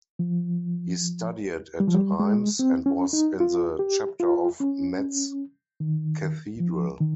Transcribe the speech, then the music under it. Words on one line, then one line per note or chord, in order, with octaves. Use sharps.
He studied at Reims and was in the chapter of Metz Cathedral.
F3
G3
F3
G3
G#3
C4
C#4
D#4
F4
G4
F4
C#4
D#3
F3
D#3